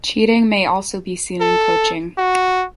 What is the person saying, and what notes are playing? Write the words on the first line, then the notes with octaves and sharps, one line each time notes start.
Cheating may also be seen in coaching.
A4
F#4